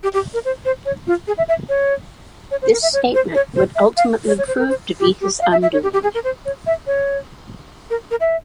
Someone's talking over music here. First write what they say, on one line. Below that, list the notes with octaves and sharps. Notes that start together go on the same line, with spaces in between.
This statement would ultimately prove to be his undoing.
G4
G4
A#4
C5
C5
C#5
F4
G#4
E5
E5
C#5
C#5
C5
A#4
E5
C#5
C5
C#5
C5
E5
F5
C#5
C#5
C5
A#4
C5
G4
G4
F5
E5
E5
C#5
G4
G4
G#4
A#4
C5
C#5
E5
C#5
A#4
A#4
E5